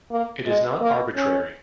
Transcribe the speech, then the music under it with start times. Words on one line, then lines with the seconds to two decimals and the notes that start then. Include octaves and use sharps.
It is not arbitrary.
0.12 A#3
0.46 G#3
0.81 A#3
1.16 C#4